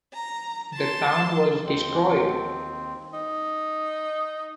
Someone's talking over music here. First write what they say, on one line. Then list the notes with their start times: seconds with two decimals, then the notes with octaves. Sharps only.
The town was destroyed.
0.13 A#5
0.73 A5 C6
1.65 D#2 C4
3.13 D#4